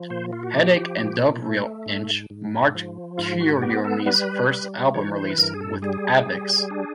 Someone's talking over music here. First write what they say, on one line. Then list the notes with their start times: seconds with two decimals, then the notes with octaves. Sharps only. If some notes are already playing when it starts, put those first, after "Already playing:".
"Headache and Dub Reel Inch" marked Kuroyume's first album release with Avex.
Already playing: F3
0.10 A#2 C5
0.33 F4
0.43 F#4
0.54 F3 G4
0.98 A#2
1.43 A3
1.86 G#2
2.30 G#2
2.75 F3
3.18 G#2 F4
3.40 F#4
3.57 F#4
3.62 B3 G4
3.84 A4
4.06 G3 B4
4.50 G3
4.94 E3 C#5
5.16 C5
5.30 B4
5.38 G2 A#4
5.54 G#4
5.61 A4
5.82 G3 G#4
6.26 G3
6.71 D4